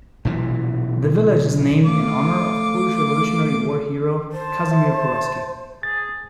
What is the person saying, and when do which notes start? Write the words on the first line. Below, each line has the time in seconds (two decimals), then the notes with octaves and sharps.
The village is named in honor of Polish Revolutionary War hero Casimir Pulaski.
0.25 B1 A#2 E3
1.85 A3 F4 D6
4.32 C5 A5
4.71 E5
5.83 G#4 A6